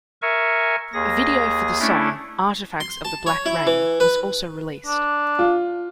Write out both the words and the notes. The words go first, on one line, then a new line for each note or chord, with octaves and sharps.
A video for the song "Artifacts of the Black Rain" was also released.
A#4 E5 G#5 C#6
D#2 G#4 A#6
A3 C#4 D4 E4
C6
A5
C#5
E4
E3
B4
D4
F4